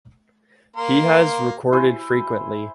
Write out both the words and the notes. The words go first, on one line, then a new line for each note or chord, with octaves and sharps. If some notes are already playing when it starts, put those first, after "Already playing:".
He has recorded frequently.
A#3 A#4 C6
E4 C5 G#5